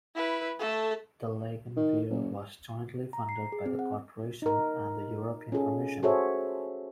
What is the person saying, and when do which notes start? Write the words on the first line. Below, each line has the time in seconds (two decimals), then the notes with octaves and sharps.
The Lagan Weir was jointly funded by the Corporation and the European Commission.
0.15 E4 B4
0.59 A3 A4
1.76 D#3
2.10 F#1
3.13 A#5
3.29 C7
3.52 G#4
3.66 C4
3.79 F#5
4.42 D#4 A#4
5.52 C#4 F4 G#4 A4
6.03 F#4 G#4 A4 C5 C#5 E5